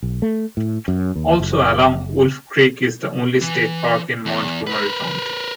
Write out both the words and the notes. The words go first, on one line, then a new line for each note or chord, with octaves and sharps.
Also along Wolf Creek is the only state park in Montgomery County.
B1
A3
A2
F#2
D#2
F#1
E3
E2
A#4 B4